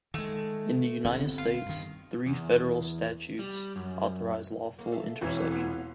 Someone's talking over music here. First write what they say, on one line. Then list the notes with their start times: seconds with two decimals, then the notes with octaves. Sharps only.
In the United States, three Federal statutes authorize lawful interception.
0.14 D#3 G#3 A3
1.04 G1 B3 C4
1.38 F4
1.66 G2 D#3
2.26 E2
3.39 G3
3.76 F#2
4.78 D#2 A#3
4.92 A4 E5 F5
5.21 E1 E3 C4 C#5
5.51 B3 F4